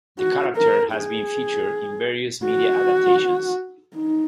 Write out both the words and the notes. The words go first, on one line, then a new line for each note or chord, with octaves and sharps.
The character has been featured in various media adaptions.
F#4
A#4
G#4
F#4
D#4